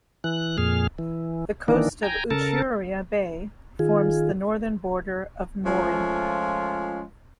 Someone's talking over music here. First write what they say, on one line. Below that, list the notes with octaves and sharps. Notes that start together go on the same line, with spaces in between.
The coast of Uchiura Bay forms the northern border of Mori.
E3 F#6
F2 A#2 G#4 F6
E3
D#3 E3 A#3 D4
G5 G#5 A#5
C#3 A4 A#4 A5
D#3 F4 G#4
F3 G#3 A3 C#4 F4